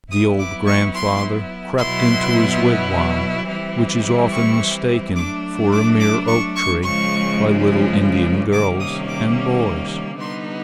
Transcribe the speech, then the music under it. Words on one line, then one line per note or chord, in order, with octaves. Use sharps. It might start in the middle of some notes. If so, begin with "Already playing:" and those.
The old grandfather crept into his wigwam, which is often mistaken for a mere oak tree by little Indian girls and boys.
F#3 B3 E4 D#6
D6
C#6
C6
B2 F#3 B3 E4 C6
E3 G3 C4 E4
C#6
F#3 A3 D4 D6
D6
D6
C#6
C#6
C#3 F3 G#3 C#6
C3 D#3 G3 A#3 C#4 D6
D#6
D6
D3 G3 B3 D#4 C6